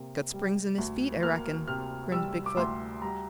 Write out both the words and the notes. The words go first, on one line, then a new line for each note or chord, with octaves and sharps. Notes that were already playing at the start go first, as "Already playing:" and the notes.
"Got springs in his feet, I reckon," grinned Big-foot.
Already playing: C3 A#3
G3
D2
A#3 F6
C3 F6
G3 E6
D6
D2 C6
G3 A#5